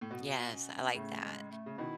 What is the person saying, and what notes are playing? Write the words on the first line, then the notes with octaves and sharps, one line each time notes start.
Yes, I like that.
A2
B2 B3
C#4
B3
A2 C#3 A3
G#3
A3
C#3
B2 D#3 E4